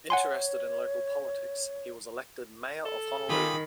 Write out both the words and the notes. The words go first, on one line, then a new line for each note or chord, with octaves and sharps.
Interested in local politics, he was elected Mayor of Honolulu.
C#5 F#5 G#5 C6
A4
D#3 F4 G4 G#4 B5